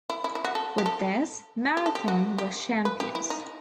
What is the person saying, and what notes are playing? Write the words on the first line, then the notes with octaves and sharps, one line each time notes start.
With this, Marathon were champions.
E4
E4
E4
F#4
A4
G4
A4
G4
A4
G4
F#4
G4
B4
G4
E4
D#4